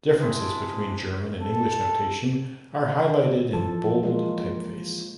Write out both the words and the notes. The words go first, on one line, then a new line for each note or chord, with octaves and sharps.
Differences between German and English notation are highlighted in bold typeface.
C3 G#3 E4 A4
A4
E3 F3 A4
G#3 A#3 F4